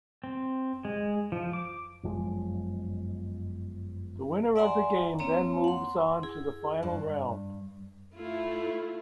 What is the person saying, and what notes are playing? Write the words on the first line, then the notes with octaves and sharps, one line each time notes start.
The winner of the game then moves on to the final round.
C4
G#3
F3
D6
G1 F#2 F3 G#3
D5 E5 F#5 G#5 A#5 C6
A#3 C4 C#5 A#5
F#5 C6
E4 G#4
G2
A3 E4 F4